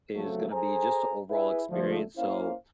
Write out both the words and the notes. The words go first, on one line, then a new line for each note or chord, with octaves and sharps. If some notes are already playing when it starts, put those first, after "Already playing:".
is gonna be just the overall experience. So
C#3 F3 F#3 A3
G#4 A4 C5 G#5 A#5
E4 G#4 B4 E5
D3 F3 A3
A#3 C#4 E4 C5 F5